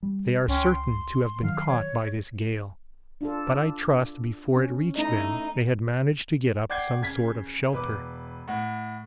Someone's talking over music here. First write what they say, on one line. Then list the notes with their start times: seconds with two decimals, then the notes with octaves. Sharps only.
They are certain to have been caught by this gale, but I trust before it reached them they had managed to get up some sort of shelter.
0.03 G3
0.47 C#2 C#4 G5 C6
0.70 C6
1.42 D#3 F#3 F5
1.67 C#5
3.21 D4 F4 A4
4.55 C#4
4.96 A3 D#4 E4 D#5
6.70 D5 F#5 G5 G6 G#6 C7
7.02 C#3 G#6 B6
7.73 E1 B4 D6
8.48 A2 F#5